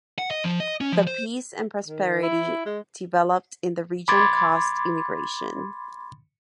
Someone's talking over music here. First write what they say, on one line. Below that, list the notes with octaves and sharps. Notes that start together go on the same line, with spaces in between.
The peace and prosperity developed in the region caused immigration.
F#5
D#5
F3
D#5
C#4
F3
C5
D#3
E4
G#3
B5 C6 D6 G#6 A6